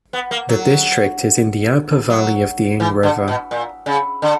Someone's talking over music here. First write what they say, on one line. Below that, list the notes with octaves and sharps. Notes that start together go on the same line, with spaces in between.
The district is in the upper valley of the Ing River.
B3
A#3
F#3
F#3
E3
D3
B2
A#2
C#3
D3